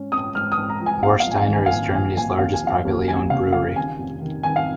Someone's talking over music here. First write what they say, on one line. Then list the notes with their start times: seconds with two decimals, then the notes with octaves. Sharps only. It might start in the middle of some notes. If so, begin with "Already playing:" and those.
Warsteiner is Germany's largest privately owned brewery.
Already playing: G#2 C#4
0.12 C#4 D#6
0.35 G#2 F6
0.52 D#6
0.57 G#2
0.69 A#5
0.80 F3
0.86 G#5
1.02 A#1 F5
1.20 F5
1.26 A#1 G#5
1.38 F5
1.49 D#3
1.54 G#5
1.66 F5
1.71 A#1 G#5
1.94 A#1 G#5
2.16 A#1 G#5
2.39 D#2 F5
2.54 G#5
2.62 F3 F5
2.85 D#2
3.08 D#2 G#5
3.30 C#3 F5
3.52 C#3 F5
3.75 D#3 G#5
3.98 F1
4.22 D#3
4.43 D#3 G#5
4.56 F5